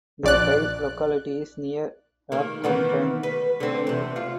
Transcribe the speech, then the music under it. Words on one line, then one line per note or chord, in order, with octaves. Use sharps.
The type locality is near Rockhampton.
A#1 D5 F#6
D#3 A#3
D#3 E3 B3
B4
D3 C4
E2 C3
F4